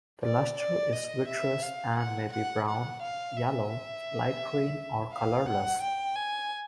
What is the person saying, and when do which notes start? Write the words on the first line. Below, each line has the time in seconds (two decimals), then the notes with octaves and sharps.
The luster is vitreous and may be brown, yellow, light green or colorless.
0.23 D5
0.57 D5
0.93 D#5
1.27 E5
1.62 F5
1.97 F#5
2.32 F#5
2.67 F#5
3.02 F5
3.37 E5
5.11 F5
5.46 F#5
5.81 G5
6.16 G#5